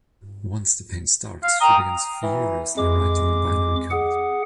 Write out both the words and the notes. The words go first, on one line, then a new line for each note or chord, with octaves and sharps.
Once the pain starts she begins furiously writing in binary code.
F5
G5 A#5 D#6
E3
F2 G#3 D6
G#4 F#5